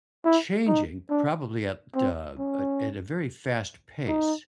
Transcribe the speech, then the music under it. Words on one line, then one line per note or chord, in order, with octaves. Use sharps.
changing probably at a a at a very fast pace.
E4
D#4
D4
C4
C#4
D#4